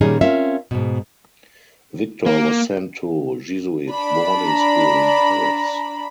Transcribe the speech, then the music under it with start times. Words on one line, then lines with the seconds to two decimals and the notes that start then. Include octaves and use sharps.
Victor was sent to Jesuit boarding school in Paris.
0.01 A#2 D#3 G3 C#4 D#4 G#4
0.21 C4 C#4 F4 A#4 E5 F5
0.71 G#2 B2
2.26 A#3
3.92 D4 B5
4.45 A#5